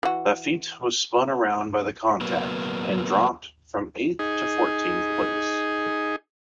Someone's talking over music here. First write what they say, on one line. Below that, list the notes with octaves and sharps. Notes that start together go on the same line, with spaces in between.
Laffite was spun around by the contact and dropped from eighth to fourteenth place.
E3 F#4
F#3 A#3 B3
D#4 G#4